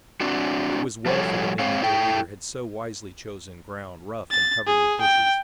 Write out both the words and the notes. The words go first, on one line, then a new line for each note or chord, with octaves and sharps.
It was well for the men that their leader had so wisely chosen ground rough and covered with bushes.
C4 D4 F#4
F3 G3 F#4 A4 C#5
G#3 C4 C#5 F5
E4 A4 G5
A6
G#4
G5